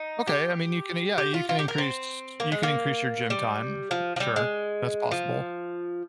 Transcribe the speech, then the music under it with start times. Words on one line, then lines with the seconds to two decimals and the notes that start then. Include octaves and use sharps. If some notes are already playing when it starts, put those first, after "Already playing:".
Okay, I mean, you can yeah, you can increase you can increase your gym time, sure, that's possible,
Already playing: D#4
0.27 G4
1.18 G4
1.34 F4
1.49 F4
1.59 G4
1.68 A#4
1.78 C4
2.40 A#3
2.52 G#3
2.63 A#3
3.30 G3
3.91 F3
4.16 F3
4.20 G3
4.36 G#3
5.11 F3